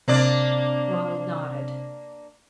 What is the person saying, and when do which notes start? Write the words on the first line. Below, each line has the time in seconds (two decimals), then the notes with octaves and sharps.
Ronald nodded.
0.08 C3 A#3 D4 D5